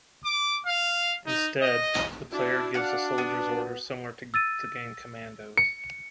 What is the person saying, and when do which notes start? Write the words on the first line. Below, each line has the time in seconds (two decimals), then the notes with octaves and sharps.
Instead the player gives the soldiers orders similar to the game "Commandos".
0.25 D6
0.66 F5
1.26 D#4
1.61 D#5
2.32 D4 E4 F#4
2.74 D4 F5 F#5
3.18 B3
4.34 E6 A6 D#7
5.58 C#7